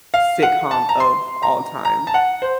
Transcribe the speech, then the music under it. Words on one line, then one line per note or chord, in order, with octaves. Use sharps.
sitcom of all time.
F5
F#5
A5
A#5
C6
A#5
A#5
A5
F#5
C5